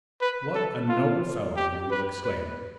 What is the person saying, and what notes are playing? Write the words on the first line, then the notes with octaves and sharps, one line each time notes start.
"What a noble fellow!" you will exclaim.
B4
A4
F4
G4
B4
B4